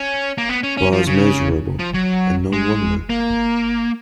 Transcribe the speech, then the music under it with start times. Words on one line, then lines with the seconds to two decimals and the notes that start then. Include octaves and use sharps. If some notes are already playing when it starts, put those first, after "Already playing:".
Pa's miserable, and no wonder!
Already playing: C#4
0.38 A#3
0.49 B3
0.63 C#4
0.77 C#4
0.93 F3
1.07 C#3
1.79 F3
1.94 F#3
2.53 G#3
3.10 A#3